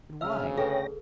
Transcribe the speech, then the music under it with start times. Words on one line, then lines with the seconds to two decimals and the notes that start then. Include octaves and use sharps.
And why?
0.21 D2 C#3 E5 F5 E6 F6
0.58 G#4 A4 B4 C#5 G5 A#6